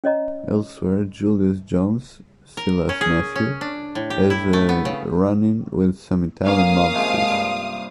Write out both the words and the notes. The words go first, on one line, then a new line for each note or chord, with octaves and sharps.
Elsewhere, Julius Jones, Silas's nephew, has a run-in with some Italian mobsters.
C#4 C#5 D#5 A#5
A#4
C#4
G#4
C#4
D4
A2
G4
E4
A3
B3
C#3
A#3 C#4 F5 D#6
C3 F3 G#3
G2